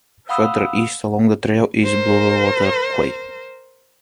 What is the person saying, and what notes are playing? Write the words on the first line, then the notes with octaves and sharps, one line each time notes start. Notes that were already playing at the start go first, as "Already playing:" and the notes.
Further east along the trail is Bluewater Quay.
F5 F#5 B5 D#6 E6
A#4 C5